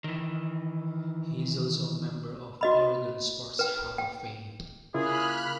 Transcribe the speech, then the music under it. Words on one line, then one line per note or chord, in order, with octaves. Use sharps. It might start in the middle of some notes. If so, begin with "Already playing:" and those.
He is also a member of Oregon Sports Hall of Fame.
D#3 E3
F#4 D#5 B5
B4 G5
G5
C#3 A#3 E4 F4 G#4 B5 F6 F#6